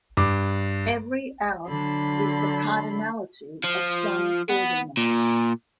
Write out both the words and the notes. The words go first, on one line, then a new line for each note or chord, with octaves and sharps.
Every aleph is the cardinality of some ordinal.
G2 D6
D3 F#3 D4 A4 B5 C6
F3
B3
A#2